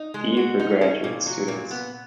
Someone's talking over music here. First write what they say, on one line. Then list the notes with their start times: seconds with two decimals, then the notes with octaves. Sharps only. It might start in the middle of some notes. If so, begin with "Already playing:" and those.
D. for graduate students.
Already playing: D#4
0.14 G#3
0.37 F#4
0.59 D#4
0.81 C#4
1.04 A#2
1.26 F#3
1.48 A#2
1.71 B3